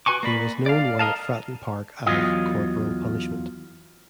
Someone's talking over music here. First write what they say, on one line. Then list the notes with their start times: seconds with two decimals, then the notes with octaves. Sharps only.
He was known while at Fratton Park as "Corporal Punishment".
0.06 F#4 B4 G#5 C#6 D6
0.23 A#3 D5 B5
0.66 D5 F5
0.99 A4 A#4 D#5 F5 A5
2.06 E2 B2 F#3 F4 D#5